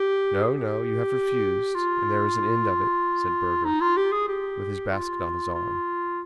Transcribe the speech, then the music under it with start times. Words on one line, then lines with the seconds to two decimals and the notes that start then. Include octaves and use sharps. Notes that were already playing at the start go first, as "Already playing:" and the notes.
"No, no; you have refused, and there is an end of it," said Burger, with his basket on his arm.
Already playing: G4
0.43 G#4
0.48 G4
1.75 F4
3.65 D#4
3.81 F4
3.97 G4
4.13 G#4
4.28 G4
4.92 F4
5.55 F4